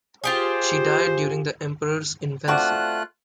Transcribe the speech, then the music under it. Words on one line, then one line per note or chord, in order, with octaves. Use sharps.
She died during the Emperor's infancy.
F4 G4 G#4 C5
A3 C4 D4 F4 F#4 F#6